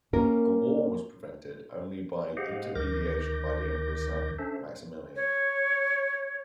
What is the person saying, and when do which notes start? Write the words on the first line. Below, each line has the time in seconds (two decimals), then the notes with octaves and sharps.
A war was prevented only by intermediation by the Emperor's son, Maximilian.
0.13 A#3 C#4 A#4
2.37 G4 G#4 C5 D#5 F5 F#5
2.75 D2 D#3 A#4 D6 G6 A#6
4.39 C#4 D4 A4 C5 E5
5.16 C#5